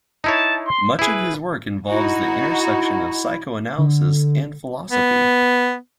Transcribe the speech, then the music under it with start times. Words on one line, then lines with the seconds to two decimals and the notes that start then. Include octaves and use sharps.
Much of his work involves the intersection of psychoanalysis and philosophy.
0.24 D#4 E4 C#5 A5
0.66 C6
0.99 E4 G#4 B4
1.90 D#4 E4 F#4
3.78 D3
4.91 B3